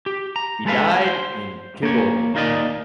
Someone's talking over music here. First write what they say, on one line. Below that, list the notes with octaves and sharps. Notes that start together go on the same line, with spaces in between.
He died in Tivoli.
G4
A#5
G#3 A4 B4 F5
C5
A#3 C#5
A#3 D#4 A#4 D5 D#5